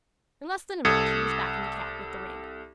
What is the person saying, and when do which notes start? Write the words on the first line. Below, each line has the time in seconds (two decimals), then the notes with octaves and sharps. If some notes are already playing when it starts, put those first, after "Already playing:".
In less than a minute he was back in the cab with the ring.
0.85 C2 A4 D#6 G#6 C#7